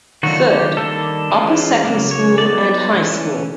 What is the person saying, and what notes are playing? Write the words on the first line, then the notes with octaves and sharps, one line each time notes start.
Third: upper second school and high school.
D#3 F#3 A3 D4 F4 F#4
G4
D#3 G3 A#3 D4 A4
E3 G#3 C#4 F4
C#3 F#3 A#3
C#5
F#3 B3 D#4 D5
E3 A3 C#4